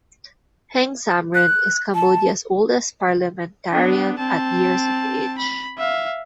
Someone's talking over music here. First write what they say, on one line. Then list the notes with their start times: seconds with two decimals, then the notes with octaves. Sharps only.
Heng Samrin is Cambodia's oldest parliamentarian, at years of age.
1.35 F#6
1.95 A5
3.71 B3 D4
4.18 C4 A5
5.38 B5
5.78 E5 F5